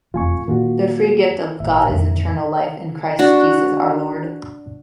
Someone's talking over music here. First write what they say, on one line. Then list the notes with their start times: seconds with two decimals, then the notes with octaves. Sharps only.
The free gift of God is eternal life in Christ Jesus our lord.
0.14 E1 F2 A3 F4 G#5 C#6
0.48 A#2 D#3 A#3 F4 F#4
1.60 G#1 A#2 E5
1.88 F2 G#2 D3
3.19 D4 F#4